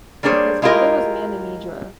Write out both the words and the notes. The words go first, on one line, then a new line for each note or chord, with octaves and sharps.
His brother was Maninidra.
G3 A#3 D4 G#4 C5 C#5
G#3 E4 F4 G4 A#4 D#5